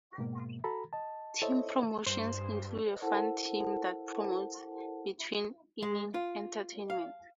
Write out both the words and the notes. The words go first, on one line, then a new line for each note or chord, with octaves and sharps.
Team promotions include a "Fun Team" that promotes between-inning entertainment.
G#2 B2 G#3 A#3
F#4 A4 A#5 B5
D#5 A5
E4 A4 C5 C#5 D#5 E5
G2 C5
E4 A4 A#4 C5 F#5 A5
G#3
F4
F5